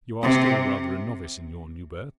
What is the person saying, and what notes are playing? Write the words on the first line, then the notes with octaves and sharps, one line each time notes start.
You are still rather a novice in your new berth.
C3